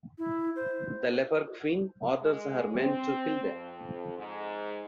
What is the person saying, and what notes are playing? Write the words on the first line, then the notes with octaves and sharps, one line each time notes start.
The Leper Queen orders her men to kill them.
E4
C5
G#3
C4
F2
G#2